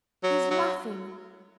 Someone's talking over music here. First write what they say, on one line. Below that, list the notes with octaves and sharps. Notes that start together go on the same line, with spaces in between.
"He's laughing."
F#3
F#3